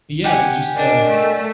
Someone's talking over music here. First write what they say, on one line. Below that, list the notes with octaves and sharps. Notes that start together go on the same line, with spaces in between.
Yeah, we just, uh
G4 F#5 G#5
D4 A#4 D5 D#5
A3